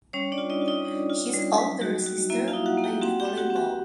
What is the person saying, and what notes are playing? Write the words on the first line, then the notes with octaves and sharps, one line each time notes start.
His older sister played volleyball.
G3 C#4 C#5
D4 D5
F4
D#4 D#5
F4
D#4 D#5
D4
F4
G3
F#3
F#4
F#4
A#3 E4 E5
F4 F5
D#4
F#4 F#5
A#3
G4 G5
C4 F#4 F#5
G4 G5
C4
F#4 F#5
C4
F#4 F#5